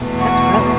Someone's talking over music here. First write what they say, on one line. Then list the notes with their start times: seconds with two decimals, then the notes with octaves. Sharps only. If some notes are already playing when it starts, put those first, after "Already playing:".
ah, that's rough,
Already playing: E2 B2 A3
0.19 F#4